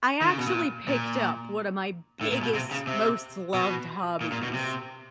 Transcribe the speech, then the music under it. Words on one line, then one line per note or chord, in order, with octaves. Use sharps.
I actually picked up one of my biggest, most loved hobbies
D#3
C#3
B2
A#2
A#2
A2
A#2
B2
C3
C#3
C3
B2
A#2
A#2
B2
C3